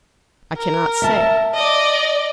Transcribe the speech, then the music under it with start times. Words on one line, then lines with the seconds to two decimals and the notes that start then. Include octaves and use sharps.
I cannot say.
0.57 A#4
1.02 E5 A5
1.54 D5 D#5